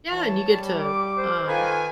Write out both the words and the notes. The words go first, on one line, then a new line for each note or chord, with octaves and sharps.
Yeah, and you get to, um
E3 C#5 A5
G3
D6
C5
D#3 F4 A4 B4 G#5